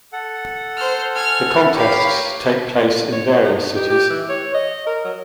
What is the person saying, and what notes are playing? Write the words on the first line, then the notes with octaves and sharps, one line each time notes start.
The contests take place in various cities.
A4 F#5
C5 F6
G#5 F6
G4 A#4 B4 C#5 F5
C#5
D#4
G4
G4
E3
C#5
D#5
A#4
F#3